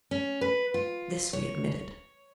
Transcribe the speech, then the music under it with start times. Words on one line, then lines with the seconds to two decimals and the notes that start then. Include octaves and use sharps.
This we admitted.
0.11 C#4
0.41 B4
0.74 F4
1.33 C#5